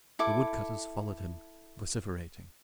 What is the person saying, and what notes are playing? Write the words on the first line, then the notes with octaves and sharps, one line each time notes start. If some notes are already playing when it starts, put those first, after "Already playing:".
The woodcutters followed him, vociferating.
E4 A4 D6